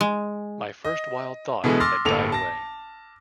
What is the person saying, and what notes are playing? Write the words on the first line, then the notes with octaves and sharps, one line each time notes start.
My first wild thought had died away.
G#3
D#5
B2 D3 E3 G#3 B3 G#4
C6 D6 E6 F6 A6 A#6
G1 A2 A#3 A4 F7
A5 A#6